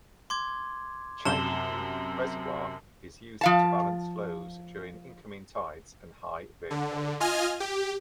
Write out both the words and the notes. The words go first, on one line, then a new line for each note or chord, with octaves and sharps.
Changi Creek Reservoir is used to balance flows during incoming tides and high rainfall.
C6 D6 G#6
F#2 C3 A5 E7 G7
F3 F5 A5
D3
F4 D#5 G#5 F6
G4